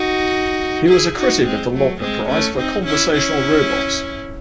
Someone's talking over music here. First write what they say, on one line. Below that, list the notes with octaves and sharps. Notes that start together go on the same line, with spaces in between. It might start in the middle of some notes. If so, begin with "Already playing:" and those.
He was a critic of the Loebner Prize for conversational robots.
Already playing: D#4 F#4
E4 G#4
D#4 F#4
G#3 C4
F#3 A3
G#3 C4
A3 C#4
C4 D#4
C#4 E4
C#4 E4